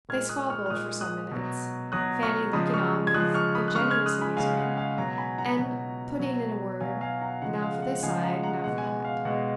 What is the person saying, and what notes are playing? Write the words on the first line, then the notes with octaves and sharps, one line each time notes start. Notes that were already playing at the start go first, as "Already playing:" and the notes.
They squabbled for some minutes, Fanny looking on with ingenuous amusement, and putting in a word, now for this side, now for that.
A#2 G#3 F6 G#6
D#6 F#6
C#6 F6
F6
A#2 G#3 D#6 F#6
D#6 F#6
B2 F#3
B2 F#3 D#6 F#6
C#6 F6
C#3 F3 G#3 B5 D#6
C#6 F6
G#6
C#3 F3 G#3 D#6 F#6
C#6 F6
B5 D#6
F#6
C#3 G#3 C#6 F6
F6 G#6
D#6 F#6
G#5 B5
C#3 G#3 F5 G#5
F#5
F5 G#5
B2 F#3 F#5 A#5
G#5 B5
F#5 A#5
B2 F#3
B2 F#3
B2 F#3 F5 G#5
F5 G#5
F#5 A#5
C#3 F3 G#3 F#5
F#5
F5
F#5
F#5
C#3 F3 G#3 F5 G#5
F#5 A#5
F#5 A#5
B2 G#3 F#5
G#5
F#5
F5
B2 G#3 F#5